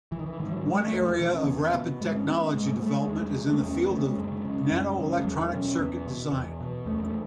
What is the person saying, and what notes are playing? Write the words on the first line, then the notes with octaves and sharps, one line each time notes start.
One area of rapid technology development is in the field of nanoelectronic circuit design.
E3
D#3
E3
G#2 D#3
F#3
G#3
A3
E2 A3
F#3
E3
B2 E3
C#4
E2 B3
B2 B3
G#2 G#3
C#4
B3
G#2 G#3
A3
G#3
A3
G#3
E2 G#3
G#3
C#3 G#3
A3
E2 C#4
B3
C#3 A3
G#3
F#2
C#3
F#2
C#3
G#3
E2 F#3
B2 C#4
E2 B3
B2
E2
B2
E2 A3
A3